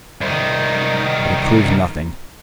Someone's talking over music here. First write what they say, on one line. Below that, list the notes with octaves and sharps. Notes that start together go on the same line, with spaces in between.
But it proves nothing.
C2 D#3